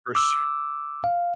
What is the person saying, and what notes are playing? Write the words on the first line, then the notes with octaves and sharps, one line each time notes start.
For su
D6 E6
F5